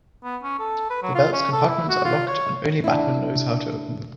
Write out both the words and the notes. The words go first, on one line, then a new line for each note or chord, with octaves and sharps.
The belt's compartments are locked and only Batman knows how to open them.
B3
C#4
A4
B4
F#3
F4
C#4
A4
E4
F#4
F4
C#5
D4 E4